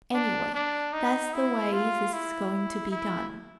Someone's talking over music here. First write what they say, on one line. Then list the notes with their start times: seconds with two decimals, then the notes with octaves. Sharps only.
"Anyway, that's the way this is going to be done."
0.14 D4
0.54 D4
0.93 D#4
1.33 E4
1.73 F4
2.13 E4
2.91 E4